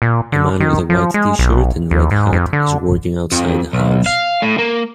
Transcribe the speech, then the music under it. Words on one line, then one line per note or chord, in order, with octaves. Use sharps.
A man with a white tshirt and red hat is working outside a house.
A#2
D3
D#3
F3
G#3
B1
D#2
G#2
F2
D3
F2
B1
F5
A2
A#3